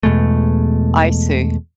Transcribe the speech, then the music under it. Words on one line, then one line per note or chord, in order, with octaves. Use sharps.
I see.
E2 B2 G#3 A3